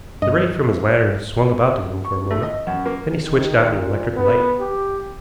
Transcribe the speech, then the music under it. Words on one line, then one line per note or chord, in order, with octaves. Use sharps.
The ray from his lantern swung about the room for a moment, then he switched on the electric light.
G2 D#5
C#6
A3
D#5
F#2
A#3
D#3
A#2
B3
G4